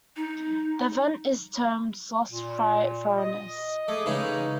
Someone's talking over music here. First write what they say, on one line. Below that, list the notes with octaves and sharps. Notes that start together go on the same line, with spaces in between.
The event is termed "Sloss Fright Furnace".
D#4
A#2
D#5
A3 G#4 D6 D#6
C#3 E3 G#3 D#4 C#5